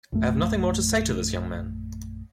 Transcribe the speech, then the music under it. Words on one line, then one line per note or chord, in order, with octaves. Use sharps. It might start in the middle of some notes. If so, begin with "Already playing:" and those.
I have nothing more to say to this young man!
A#1 F#2 A3